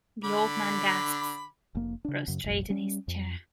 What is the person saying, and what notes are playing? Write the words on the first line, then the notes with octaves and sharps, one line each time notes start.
The old man gasps, prostrate in his chair.
D3 B5 D6
F1 A#3
C#3 D4
F#2 C#3 F#3
F1 A#1 F#2
G3 C#4
F2